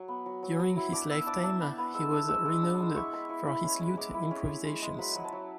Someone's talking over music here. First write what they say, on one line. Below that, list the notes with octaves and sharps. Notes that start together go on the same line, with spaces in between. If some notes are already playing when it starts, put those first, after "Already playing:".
During his lifetime he was renowned for his lute improvisations.
Already playing: F#3
B3
F#3
F#3
F#3
E4
D4 D6
B3 E6
D4 D6
D4 E6
B3
B3
G#3 E6
D4 E6
G#3 E6
G#3 D6
D4
G#3
E4 C#6
G#3 B5
E4 C#6
E4 B5
C#4
G#3
G#3 D6
E4
C#4
G#3
G#3
G#3
F#3 B5
F#3
A5
F#3